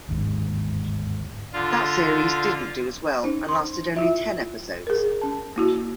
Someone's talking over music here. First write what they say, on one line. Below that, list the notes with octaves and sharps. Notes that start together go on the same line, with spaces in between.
That series didn't do as well, and lasted only ten episodes.
G1 D#2 G#2
D3 F4
C#4 D#4 C5
C6
E4 F4 E5
G#4 A#4
C#4 A5
A#3 E4 F#4